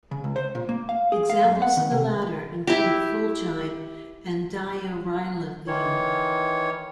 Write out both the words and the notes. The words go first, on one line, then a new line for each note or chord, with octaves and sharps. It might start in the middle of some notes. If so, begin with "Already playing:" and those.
Examples of the latter include fulgide and diarylethene.
C#3
C#2
C5
A#2
A#3
F5
G#4
F5
F#2
F#5
D#3
C3
E4 G4
D#3 E3 C#5